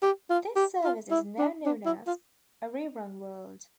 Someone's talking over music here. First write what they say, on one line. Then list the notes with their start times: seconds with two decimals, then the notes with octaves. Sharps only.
This service is now known as Arirang World.
0.02 G4
0.30 F4
0.56 G4
0.84 F4
1.11 E4
1.38 D4
1.66 D4
1.86 E4
2.07 F4